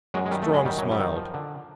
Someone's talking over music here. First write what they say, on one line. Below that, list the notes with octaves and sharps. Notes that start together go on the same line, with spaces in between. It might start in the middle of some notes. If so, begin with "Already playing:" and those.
Strong smiled.
F#2 F#3 G#3
G#3
D#3 G3
A3
F#2
G#3
D#3 G3
F#3
F#2
G3
D#3
F3
D3